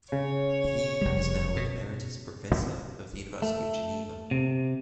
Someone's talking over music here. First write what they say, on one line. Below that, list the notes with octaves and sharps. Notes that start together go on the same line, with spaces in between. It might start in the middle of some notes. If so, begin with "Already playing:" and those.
He is now an emeritus professor of the University of Geneva.
C#3 C#5
F1 G3
B2
A3
C3